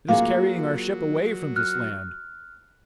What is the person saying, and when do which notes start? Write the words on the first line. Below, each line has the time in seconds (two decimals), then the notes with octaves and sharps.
It is carrying our ship away from this land.
0.09 F#3 A#3 F4 G#4 F5
1.56 F6 F#6